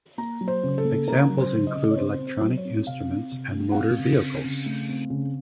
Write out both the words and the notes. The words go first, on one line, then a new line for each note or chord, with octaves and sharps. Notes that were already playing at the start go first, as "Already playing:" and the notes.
Examples include electronic instruments and motor vehicles.
A#3 A#5
F#3
C5
C#3
A4
A#3
C#3 A#4
F#3
C5
C#3
D#5
C#3
C#5
C4 C5
C4
C5
F#3
C#5
C4
C3 F5
C4
C3
A3
F#5
C4 F5
C#3
C4
C#3
A3
C4
C#3